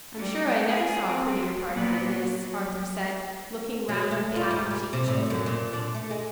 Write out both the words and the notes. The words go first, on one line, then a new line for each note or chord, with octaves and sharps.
"I'm sure I never saw a prettier party than this," Arthur said, looking round at the apple-cheeked children.
G3
G#4
C4
F#3
A#2 B3
F#3
F#3
A3
F4
G#2
G3
C3
A2
F#2
A#2
D4
A3
G#3